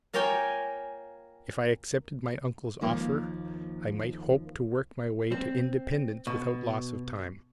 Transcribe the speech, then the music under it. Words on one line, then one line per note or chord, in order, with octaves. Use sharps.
If I accepted my uncle's offer, I might hope to work my way to independence without loss of time.
A#3 F4 A#4 C#5 G5 G#5
D#2 F3 A#3
C4
B2